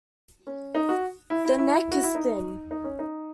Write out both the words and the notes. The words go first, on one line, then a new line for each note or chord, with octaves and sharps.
The neck is thin.
C#4
D#4
F#4
E4
E4
E4
F#4
E4
D#4
D#4
C#4
D#4